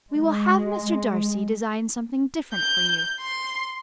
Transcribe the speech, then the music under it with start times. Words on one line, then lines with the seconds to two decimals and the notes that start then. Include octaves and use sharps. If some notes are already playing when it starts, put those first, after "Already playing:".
"We will have Mr. Darcy design something different for you."
0.15 G#3
2.53 G6
3.20 C6